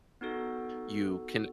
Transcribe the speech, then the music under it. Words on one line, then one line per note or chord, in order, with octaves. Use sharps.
you can
B3 D#4 F#4 A4